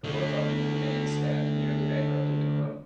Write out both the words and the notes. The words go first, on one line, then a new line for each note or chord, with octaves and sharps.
The work on the new Main Stand nearly bankrupted the club.
D3 A3